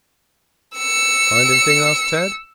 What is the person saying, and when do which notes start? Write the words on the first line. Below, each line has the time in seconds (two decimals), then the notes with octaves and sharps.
"Find anything?" asked Tad.
0.78 E6 C#7